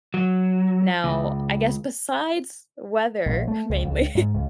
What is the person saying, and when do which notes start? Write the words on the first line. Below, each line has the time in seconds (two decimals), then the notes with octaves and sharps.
Now I guess besides weather, mainly,
0.14 F#3
1.04 C#2
3.26 A#1
3.47 A3
3.70 C#2
3.84 C#2
4.15 G#2
4.34 C#2